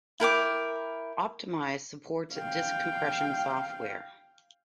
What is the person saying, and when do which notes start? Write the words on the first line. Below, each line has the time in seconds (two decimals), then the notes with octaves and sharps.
Optimize supports disk compression software.
0.20 E4 A#4 G5 D6
2.34 F5 G5